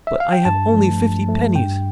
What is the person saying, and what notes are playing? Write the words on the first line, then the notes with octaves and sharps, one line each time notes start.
But I have only fifty pennies.
E5
F5
G5
G2 A5
F3 A3
G2
F3 A3
G2 G5